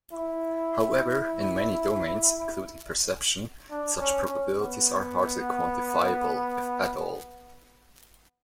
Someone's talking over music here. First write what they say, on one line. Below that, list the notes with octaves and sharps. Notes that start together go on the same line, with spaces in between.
However, in many domains, including perception, such probabilities are hardly quantifiable, if at all.
E4
D4
C#4
C#4
B3